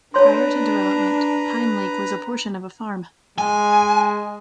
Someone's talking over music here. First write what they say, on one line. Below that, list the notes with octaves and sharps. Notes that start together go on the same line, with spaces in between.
Prior to development, Pine Lake was a portion of a farm.
D4 B4 C#5 A#5 C6
G#3 G#5